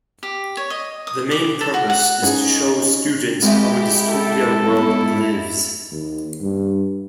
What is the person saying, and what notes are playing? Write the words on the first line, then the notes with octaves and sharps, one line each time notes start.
The main purpose is to show students how a dystopia world lives.
G4
C#5
D#5
D#6
D6
A4
F#4
F#5
B3 C#4 D#4 F4 G#4
G#3 C4 E4 G4 E5
A4
G#2 B3 E4
D#2
G2